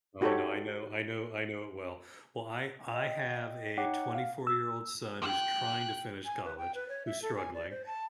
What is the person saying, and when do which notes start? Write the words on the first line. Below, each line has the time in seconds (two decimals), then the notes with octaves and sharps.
Oh no, I know I know I know it well. Well, I I have a twenty-four-year-old son who's trying to finish college, who's struggling,
0.21 D#4 F#4 G4 A4 C5 C#5
2.94 D#5 G5
3.77 D#4 C#5 F#5 G5 D6
4.15 F5
4.47 E6
5.22 G5 F#6
6.26 G#5
6.45 B4
6.58 G5
6.75 B4
6.89 C#5
7.06 E5
7.22 A4
7.36 G#5
7.54 D5
7.71 C5
7.87 A5